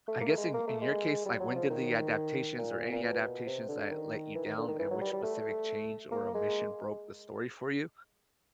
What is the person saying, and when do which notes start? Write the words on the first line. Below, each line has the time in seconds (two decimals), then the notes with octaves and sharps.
I guess in in your case, like, when did the adaptations, or any adaptations that let you down, and which specific change or omission broke the story for you?
0.08 A3
0.21 A#3
0.29 A3
0.37 G#3
0.54 A#3
0.67 A3
0.81 G#3
1.26 G3
1.40 F#3
1.55 F3
1.70 D#3
2.58 A#2
2.92 A#2
3.03 B2
3.46 C3
3.68 D3
3.91 D#3
4.35 E3
4.46 D#3
4.58 D3
4.68 D#3
4.79 E3
4.91 F#3
5.01 G3
5.12 G3
5.23 A3
6.12 A#3
6.34 G#3